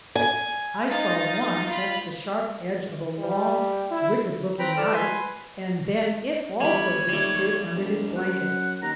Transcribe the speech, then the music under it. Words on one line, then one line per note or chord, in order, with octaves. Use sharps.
I saw one test the sharp edge of a long, wicked-looking knife, and then it, also, disappeared under his blanket.
G#5
D#4 F5 A6
F4 B5
G3
E4
C4 B4 G5 A#5 B5
A4 D5 E6 F6
B4 G#5 C6
G1 G3 C#5 B5
D#2 G3 A3
E1
F#2 F#5
D#2 A#5